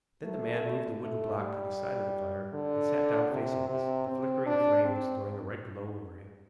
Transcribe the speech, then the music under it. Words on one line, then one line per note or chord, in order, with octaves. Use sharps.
Then the man moved the wooden block to the side of the fire and sat down facing us, the flickering flames throwing a red glow over him.
A3
A3
G3
D3
C3
C3
C4
D4
C4